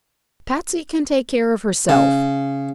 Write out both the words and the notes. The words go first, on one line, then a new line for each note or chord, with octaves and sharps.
"Patsy can take care of herself."
C#3